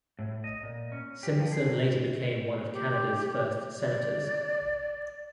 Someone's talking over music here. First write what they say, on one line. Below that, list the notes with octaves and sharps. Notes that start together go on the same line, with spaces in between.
Simpson later became one of Canada's first senators.
A2
D#5
A#2
C#4
G4
F3
G#4
C3
G4
D5